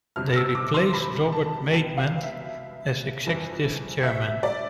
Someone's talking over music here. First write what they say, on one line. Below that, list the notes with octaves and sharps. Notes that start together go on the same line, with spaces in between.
They replaced Robert Maidment as Executive Chairman.
G1 F2 C3 F6
E6
D6
C6
B5
A5
C2 B2 B3 G5
F5
E5
G1 F2 E3
E5
D5